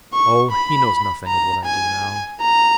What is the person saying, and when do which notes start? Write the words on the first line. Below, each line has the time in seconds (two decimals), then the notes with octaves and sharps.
"Oh, he knows nothing of what I do now."
0.14 C#6
0.52 B5
1.28 A#5
1.65 G#5
2.42 A#5